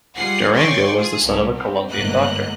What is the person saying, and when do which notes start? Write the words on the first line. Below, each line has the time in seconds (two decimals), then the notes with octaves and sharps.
Durango was the son of a Colombian doctor.
0.17 G3 F4 G#4 F#5 C7
0.56 C#5 D5 G5 G#5 C6 C#6
0.95 F4 G#4
1.25 C2 G2
1.54 E2 C4
1.91 G1 E2 G#2 A#3 D#5 F#6